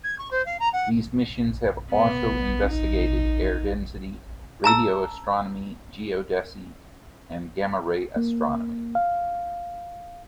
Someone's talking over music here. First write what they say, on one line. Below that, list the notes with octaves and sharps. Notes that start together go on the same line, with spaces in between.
These missions have also investigated air density, radio astronomy, geodesy, and gamma ray astronomy.
G#6
C#6
C5
F5
A#5
F#5
B3
D#4
A5 A#5 E6
A#3
F5